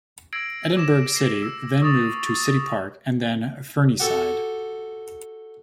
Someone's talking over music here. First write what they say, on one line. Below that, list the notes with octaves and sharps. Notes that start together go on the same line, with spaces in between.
Edinburgh City then moved to City Park and then Fernieside.
E6 G#6 A#6 C7 D7 F#7
D6 A#6 E7
A#6 C7 D7
E6
C#6 D#6 E6 A6 F7
F#4 G4 A4